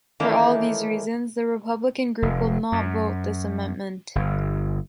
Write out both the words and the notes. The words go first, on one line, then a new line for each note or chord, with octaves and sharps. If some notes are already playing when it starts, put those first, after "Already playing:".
For all these reasons, the Republican group will not vote this amendment.
D#3 E3 A3 A#3 C#4 D#4
F1
F#2
G1